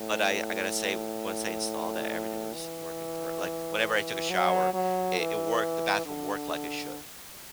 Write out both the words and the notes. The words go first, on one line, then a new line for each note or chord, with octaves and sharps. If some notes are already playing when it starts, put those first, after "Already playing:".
but I I gotta say, once I installed that, everything was working per like, whenever I took a shower, it it worked. The bathroom worked like it should.
Already playing: A2
E3
F#3
F#3
E3
D3